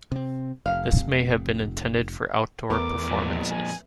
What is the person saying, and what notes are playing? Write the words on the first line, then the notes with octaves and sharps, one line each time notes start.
This may have been intended for outdoor performances.
C3 C4
F1 F5
E2 A3 B3 A#4 D6
F2 A#2
G#5